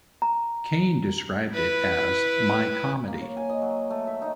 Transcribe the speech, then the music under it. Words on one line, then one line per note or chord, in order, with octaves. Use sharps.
Kane described it as "my comedy".
A#5
E4 B4
A#3
C#5
G#5
D#5
F#3
A3
E5
D#4